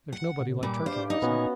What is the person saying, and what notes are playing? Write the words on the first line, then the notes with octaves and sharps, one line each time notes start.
"There's nobody like Turkey," I said.
F#5
A#2 C#3
A#2 G3 B4 D6
D4 G4 C5 D5 F5
D#4
A#2 B3 C#4 F#4 G#5